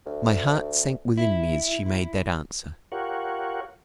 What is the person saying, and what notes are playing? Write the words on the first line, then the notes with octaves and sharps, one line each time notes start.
My heart sank within me as she made that answer.
D2
E4
F4 G4 A#4 C#5 F#5